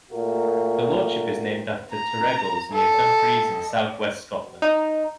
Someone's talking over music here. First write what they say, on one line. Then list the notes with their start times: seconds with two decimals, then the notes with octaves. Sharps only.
The Lordship is named after Terregles, near Dumfries in south west Scotland.
0.11 A#2 A3 F#4 A#4
1.91 A#5
2.72 A4
4.62 D#4